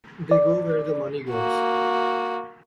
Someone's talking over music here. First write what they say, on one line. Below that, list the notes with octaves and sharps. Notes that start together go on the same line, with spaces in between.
They go where the money goes.
D5
A#3 F#4